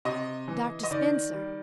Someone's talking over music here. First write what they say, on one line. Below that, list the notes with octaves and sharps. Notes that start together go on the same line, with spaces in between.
"Dr. Spencer."
C3 D#5
E3
D#5
D#3 D5
G3